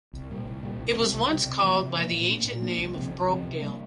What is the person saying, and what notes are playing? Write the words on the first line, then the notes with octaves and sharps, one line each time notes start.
It was once called by the ancient name of 'Brokedale'.
C2
A#2 G3
C2
A#2 G3
C2
C3
G3
C2
C3 G3
C3
F3 A#3
C3
F3 A#3
A#2
A#3 D4
A#2
A#3 D4
C2
C3 F3 C4
C2
C3 F3 C4
C3
G3 A#3 D4